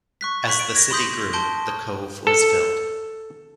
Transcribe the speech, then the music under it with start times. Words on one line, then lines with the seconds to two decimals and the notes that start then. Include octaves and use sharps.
As the city grew, the cove was filled.
0.21 C#6 F#6 B6
0.47 B5 C#6 F#6 B6
0.59 D7
0.75 G#6 A#6
0.91 B5 C6 D#6 G6 B6
1.33 A5 C6 G6 D7 G7
2.27 A4